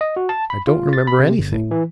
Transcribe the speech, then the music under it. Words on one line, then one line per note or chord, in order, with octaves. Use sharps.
I don't remember anything.
D#5
F#4
A5
B5
F4
A6
B5
C3
G1
A2
E3